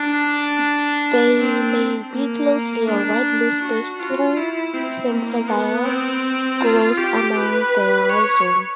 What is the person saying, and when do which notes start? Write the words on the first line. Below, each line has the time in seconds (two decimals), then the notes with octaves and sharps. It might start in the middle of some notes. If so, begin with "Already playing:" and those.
They may be closely or widely spaced through sympodial growth along the rhizome.
Already playing: D4
1.39 C4
2.13 A#3
2.88 D4
3.62 F#4
4.00 F4
4.37 E4
4.74 C4
5.12 A#3
5.49 B3
5.86 C4
6.61 F4
6.98 G4
7.35 B4
8.10 C#5